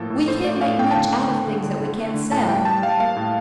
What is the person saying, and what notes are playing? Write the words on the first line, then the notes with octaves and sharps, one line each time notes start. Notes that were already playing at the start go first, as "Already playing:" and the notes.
"We can't make much out of things that we can't sell."
Already playing: A2 F3 A#3 A4
A2
A2 C5
A2 D5
A2 F5
A2 G5
A5
D3 G5
A3
D3
D3
D3
D3
A3
D3
A2 A5
G3 G5
G3 A5
G3 F5
A#3 F5
A2